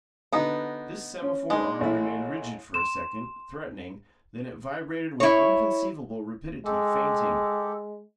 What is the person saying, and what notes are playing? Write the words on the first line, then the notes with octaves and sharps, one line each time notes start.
This semaphore arm remained rigid for a second, threatening; then it vibrated with inconceivable rapidity, feinting.
D3 B3 D#4 F#4
C#4
G#3 D4 D#4
A1 A2 E4
C6 E7
E4 C#5
G#3 G4 A4